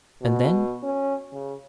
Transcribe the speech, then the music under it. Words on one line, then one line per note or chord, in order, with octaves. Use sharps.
"And then?"
B2
C#4
C#3